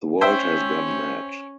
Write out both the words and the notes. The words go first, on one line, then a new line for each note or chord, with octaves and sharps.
The world has gone mad.
C#4 C5 E5 G5